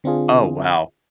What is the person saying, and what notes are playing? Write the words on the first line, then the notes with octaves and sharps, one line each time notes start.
Oh, wow.
D3 C4 D4 F4 G#4